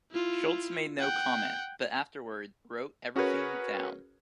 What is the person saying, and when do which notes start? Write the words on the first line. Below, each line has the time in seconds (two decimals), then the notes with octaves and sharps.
Schultz made no comment, but afterward, wrote everything down.
0.11 E4 F4
0.99 F#5 G5
3.16 C#4 F#4 G#4 A#4 B4 C#5